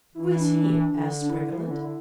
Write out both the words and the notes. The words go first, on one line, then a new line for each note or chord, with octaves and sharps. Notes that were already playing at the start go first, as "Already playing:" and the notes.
"Who is he?" asked Briggerland.
E3 E4
E4
D4
D3
D4
E4
F3
E3
D3 E4
D3